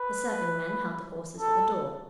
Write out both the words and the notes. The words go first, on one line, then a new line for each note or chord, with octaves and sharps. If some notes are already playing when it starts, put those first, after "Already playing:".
The serving-men held the horses at the door.
Already playing: B4
A4